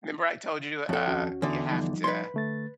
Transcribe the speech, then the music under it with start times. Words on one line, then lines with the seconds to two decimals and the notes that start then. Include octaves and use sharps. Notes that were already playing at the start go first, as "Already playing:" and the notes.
'Member I told you, uh, you have to
0.89 F2 A4 C#5
1.07 D#2 C#4 F#4
1.42 E2 D3
1.69 F3 G3 D#4
2.04 B4 C6
2.34 D3 A3 A6